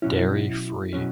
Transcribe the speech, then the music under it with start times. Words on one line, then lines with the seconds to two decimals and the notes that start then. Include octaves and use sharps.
Dairy free.
0.02 B2 F#3 C#4 E4
0.93 B2 F#3 C#4